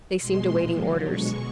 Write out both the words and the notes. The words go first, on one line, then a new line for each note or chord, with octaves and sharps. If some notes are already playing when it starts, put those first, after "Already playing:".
They seemed awaiting orders.
B2 G#3 C6
A#2 F3 G#3
D3 F#3
B2 G#3 C#6